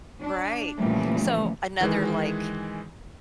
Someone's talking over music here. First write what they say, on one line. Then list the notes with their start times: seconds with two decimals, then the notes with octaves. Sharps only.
Right. So, another, like,
0.21 D4
0.77 A#2 C#3 E3 F3 G3 A3
1.81 D#3 E3 G#3